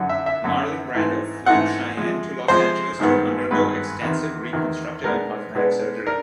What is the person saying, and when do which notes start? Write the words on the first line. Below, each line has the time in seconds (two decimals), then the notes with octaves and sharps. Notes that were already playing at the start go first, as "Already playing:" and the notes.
Marlon Brando flew Cheyenne to Los Angeles to undergo extensive reconstructive and cosmetic surgery.
Already playing: F#2 D3 F#3
0.09 E5
0.26 E5
0.44 F#2 D3 F#3
0.95 G#2 E3 A3 C4
1.46 G#2 E3 A3 C4 F#5
1.97 C3 F3 G#3
2.48 C3 F3 G#3 C5
2.99 G#1 G2 D#3 G#3 B3
3.51 G#1 G2 D#3 G#3 B3 B4
4.02 E2 C3 D#3
4.53 E2 C3 D#3
5.04 B2 G#3 B3 D4 A#4
5.55 B2 G#3 B3 D4
6.06 D4 A#4